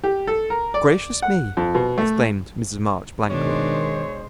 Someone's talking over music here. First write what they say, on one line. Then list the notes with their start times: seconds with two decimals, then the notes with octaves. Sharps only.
"Gracious me!" exclaimed Mrs. March blankly.
0.04 G4
0.27 A4
0.50 A#4
0.74 D5
1.22 F#5
1.57 F2
1.75 B2
1.98 A3
3.29 B2 D#3 G#3 D4 C5 C#5